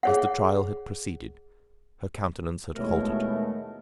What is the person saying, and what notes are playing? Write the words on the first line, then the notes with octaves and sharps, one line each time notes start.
As the trial had proceeded, her countenance had altered.
G#4 C#5 F#5
D#2 B2 G#3 A3 E4 A#4 C#5